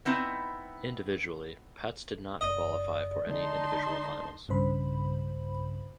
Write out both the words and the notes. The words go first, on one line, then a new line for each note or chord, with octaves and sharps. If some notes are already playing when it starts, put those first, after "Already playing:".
Individually Petz did not qualify for any individual finals.
B3 C4 D#4 E4
F#1 D5 D#5
D3 G#3 D#4 A5 C6
B1 G2 C#3 C5 B5